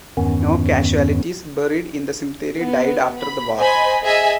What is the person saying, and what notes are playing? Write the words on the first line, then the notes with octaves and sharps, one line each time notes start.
No casualties buried in the cemetery died after the war.
E2 G2 D#3 B3 C#4
B3
B5
C5 D#5 G#5 B5
G#4 D#5 E5 G#5